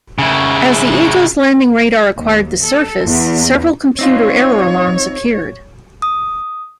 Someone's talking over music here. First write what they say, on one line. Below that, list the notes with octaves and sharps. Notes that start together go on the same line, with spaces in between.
As the "Eagle"'s landing radar acquired the surface, several computer error alarms appeared.
C#3 E4
D#2
A4
E2
C4 D#4 F4 C#5
D#6